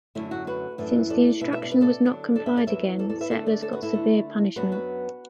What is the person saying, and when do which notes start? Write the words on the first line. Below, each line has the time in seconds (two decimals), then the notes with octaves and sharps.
Since the instruction was not complied again, settlers got severe punishment.
0.15 F#2 D3 F#3 A3 E4
0.31 F#4
0.47 F#4 B4
0.78 F#2 E3 A3 D4
1.10 A4 D5
1.41 B2 B4 E5
1.44 B3 D4
1.52 B4 E5
1.63 D5
1.71 B4
1.81 A4 D5
2.05 D3 F#3 D4
2.35 A4 D5
2.46 B4 E5
2.57 A4 D5
2.67 B2 F#3 B4 E5
2.73 E2
2.99 A4 D5
3.09 A4 D5
3.21 B4 E5
3.31 D3 A3 D4 A4 D5
3.46 A4 D5
3.62 A4 D5
3.73 F#4 B4
3.83 E4 A4
3.94 D3 A3 D4
4.56 F#2 F#3 B3 D4 F#4 B4
4.72 F#4 B4